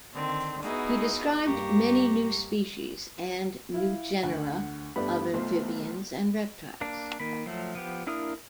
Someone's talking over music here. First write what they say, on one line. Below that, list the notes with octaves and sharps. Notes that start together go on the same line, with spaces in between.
He described many new species and new genera of amphibians and reptiles.
D3 D#3 C4
B3 D#4 E4 F#4 G#4
G2 A#3 G4 A#5 C#6
E4 F5
D2 F#5
G2 A3 B3 G4 D5 B5
B1 A3 F4 C5 C6
A#3 D4
D#3 A#3 B5
F3 F#3 A3
F3 B3 G4
A#3 D4 E4 A#4 D#6